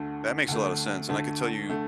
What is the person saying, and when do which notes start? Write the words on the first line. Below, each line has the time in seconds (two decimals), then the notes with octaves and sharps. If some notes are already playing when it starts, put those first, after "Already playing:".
That makes a lotta sense, and I could tell you-
Already playing: D2 D3 A3
0.48 D2 D3 A3
1.09 D2 D3 A3
1.69 D3 A3